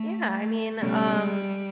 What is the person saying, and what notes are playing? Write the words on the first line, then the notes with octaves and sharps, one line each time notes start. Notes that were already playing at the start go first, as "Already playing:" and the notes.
Yeah. I mean, um,
Already playing: A3
C#2 B2 G3 A3 C#4